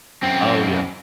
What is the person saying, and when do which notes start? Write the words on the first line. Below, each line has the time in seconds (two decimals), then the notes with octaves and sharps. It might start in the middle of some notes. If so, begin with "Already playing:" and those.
Oh, yeah.
0.23 F#2 C4